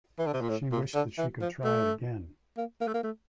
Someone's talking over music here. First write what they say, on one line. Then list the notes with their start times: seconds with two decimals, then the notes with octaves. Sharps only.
She wished that she could try it again.
0.19 E3
0.27 D3
0.34 C3
0.42 A#2
0.49 A2
0.72 A#2
0.95 D3
1.18 E3
1.41 F3
1.64 A3
2.58 A#3
2.81 A#3
2.88 A3
2.94 A#3
3.04 A3